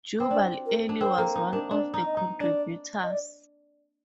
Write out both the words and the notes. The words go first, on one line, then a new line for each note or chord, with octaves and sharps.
Jubal Early was one of the contributors.
C4
D4 D5
A#4
D4
C4 A#4
A#3 A4
D#4 A#4
D4 A#4
D4 D5
D#4
D#5
D#4
D4 D5
D#5
D5